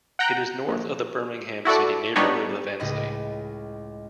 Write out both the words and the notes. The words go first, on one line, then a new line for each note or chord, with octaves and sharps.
It is north of the Birmingham city neighborhood of Ensley.
F#5 G5 A#5 F#6
A#1
E4 F#4 A4 D5
G3 B3 D4 D#4 C#5
C#2 A2 D#5 B5